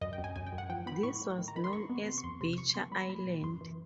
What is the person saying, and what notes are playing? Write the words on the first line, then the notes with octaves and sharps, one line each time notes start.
This was known as Beecher Island.
F#2 D#5
G5
F#2
G#5
F#2 G#5
G5
F#2
F#5
F3 G5
B3 B5
A2 C#6
A2
D#3
A#5
D#3 B5
C6
G2 C#6
B3
C3 C6
C#6
F2 C6
C3 C6
F2 C#6
B3 C6
G3 B5
A#2 B5
A#2
F#2 C6
E3